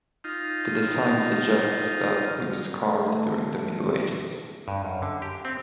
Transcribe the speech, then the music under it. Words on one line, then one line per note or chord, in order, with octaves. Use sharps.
The design suggests that it was carved during the Middle Ages.
D#4 F4
A3
G2
F#2
D3
G4
C4